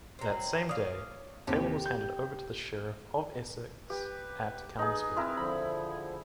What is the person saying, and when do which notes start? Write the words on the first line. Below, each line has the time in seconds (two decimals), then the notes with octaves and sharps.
That same day, Taylor was handed over to the sheriff of Essex at Chelmsford.
0.19 F#3 C4
0.69 C#5 D5 F5 D#6
1.47 D#2 C3 C4 G4
1.86 G6
3.90 G4 B4
4.79 D#4 G#4 B4
5.16 C4 E4 A#4
5.37 D3 F3 B5